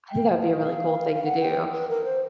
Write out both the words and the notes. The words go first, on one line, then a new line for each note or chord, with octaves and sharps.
I think that would be a really cool thing to do. It's
G5
F5
F5
F5
F#5
G5
B4
A#4
C5